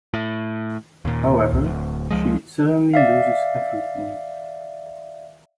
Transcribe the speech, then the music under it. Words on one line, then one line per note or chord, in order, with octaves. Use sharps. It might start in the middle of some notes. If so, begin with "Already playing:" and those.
However, she suddenly loses everything.
A2
D#2 A#2
D1 D2
C#2 F3 G#3
D5 E5 F5